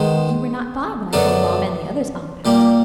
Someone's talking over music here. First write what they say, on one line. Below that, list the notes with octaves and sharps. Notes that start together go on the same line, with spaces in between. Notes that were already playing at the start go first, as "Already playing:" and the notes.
You were not by, when I told mamma and the others all about it.
Already playing: D#3 G#3 B3 C5
F#2 D3 F#3 B3 D4 A4
A#2 G3 A#3 G4